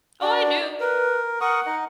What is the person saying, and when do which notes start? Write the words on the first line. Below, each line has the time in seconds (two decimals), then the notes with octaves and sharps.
Oh, I do,
0.22 D4 F#4 D5
0.80 A#4 B4
1.41 A#4 F#5 C#6 D#6
1.66 D#4 D#5